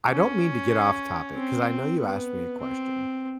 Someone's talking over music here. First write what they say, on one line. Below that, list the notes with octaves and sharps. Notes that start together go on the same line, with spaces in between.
I don't mean to get off topic 'cause I know you asked me a question
C#4
C4
B3
C4